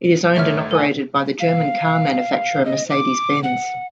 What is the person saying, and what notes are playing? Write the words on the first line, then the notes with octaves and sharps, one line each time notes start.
It is owned and operated by the German car manufacturer Mercedes-Benz.
G1 A3 C#5 E5 F6
A#4 G#5
F5
D#5
D6
F#5